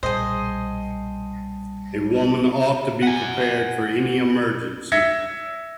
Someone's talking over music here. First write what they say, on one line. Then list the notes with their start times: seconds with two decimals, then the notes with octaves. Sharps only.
A woman ought to be prepared for any emergency.
0.03 B1 A#2 G3 G#4 C5 D#5 G5 A5
3.02 F#5 G#5
4.92 E5 G#6 A#6 B6 C#7